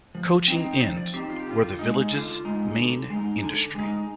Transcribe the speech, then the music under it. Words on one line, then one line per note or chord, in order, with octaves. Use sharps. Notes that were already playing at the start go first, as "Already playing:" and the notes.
Coaching inns were the village's main industry.
F3
C4 D#4
C5
F3 D5
D5
C4 D#4 G4
F4
G4
D3 F4
G#3 D#4
D3 F4
G#3 D#4
D3
G#3 D#4
D3
G#3 D#4